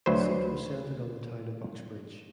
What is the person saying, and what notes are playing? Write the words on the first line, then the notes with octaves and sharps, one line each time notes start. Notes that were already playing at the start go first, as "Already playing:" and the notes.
The seat was centred on the town of Uxbridge.
D2 F#3 B4 C5